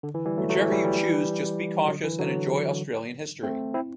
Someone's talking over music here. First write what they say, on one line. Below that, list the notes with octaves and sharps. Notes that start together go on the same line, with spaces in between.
Whichever you choose just be cautious and enjoy Australian history!!
D3
E3
E3 G3
F#3 A3
F#3 A3
E3 G3
E3 G3
E3 G3
D3 F#3
E3
D3 F#3
A3 C4
C4 E4